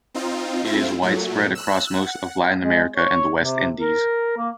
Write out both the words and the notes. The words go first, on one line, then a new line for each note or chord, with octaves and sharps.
It is widespread across most of Latin America and the West Indies.
C4 D#4 F4
A3 C4 E4 F4
A#2 F#3 A3
E6 F#6
F#5
G#3
C#5
C3
A#4
A#3